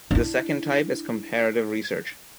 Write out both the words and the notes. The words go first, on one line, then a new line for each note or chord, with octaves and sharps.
The second type is comparative research.
D4 E4